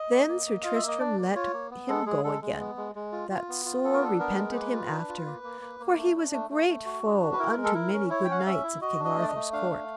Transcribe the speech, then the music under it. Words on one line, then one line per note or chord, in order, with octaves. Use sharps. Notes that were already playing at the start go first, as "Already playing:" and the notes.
Then Sir Tristram let him go again that sore repented him after, for he was a great foe unto many good knights of King Arthur's court.
Already playing: D#5
A#3
A#3
A#3
F4 F5
E5
A#3
D#5
D4 D5
A#3
F4 C#5
A#3
B3
G#3 A4
G#3 G#4
G#3 A4
G#3
B3
G#3
G#3
F4
F4
B3
F4
B3 A4
A#4
D4 A4
B3 A#4
G#3
C5
A#3 B4
F4
D4
F4
A#3
A#3
A#3
A#3
A3
D4
A3
A3
A3
F#4
D4
F#4
B4
E4 A#4
G#3
A4
E4 A#4
C#4
E4 C#5
G5
C#4 F#5
F5
C#4 E5
E4
F#4 D#5
D4
D#5
A3
D5
D#5
A3
D4 F5
A3